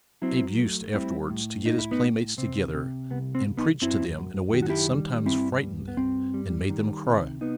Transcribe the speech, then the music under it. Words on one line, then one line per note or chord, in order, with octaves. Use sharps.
Abe used afterward to get his playmates together and preach to them in a way that sometimes frightened them and made them cry.
F#3 C4 E4
A3
G3 C4 E4
A2
A2 D#4
E4
B3 D#4
A2
C3 C4
C3
C2 B3
C4
C2
B3 D#4
F#2 C4 E4
F#2
D#3 G4
F#4
E4 G4
G3
G2 C4 E4
G2
B3
G2 C4
G3
D#3
C3
B3 D#4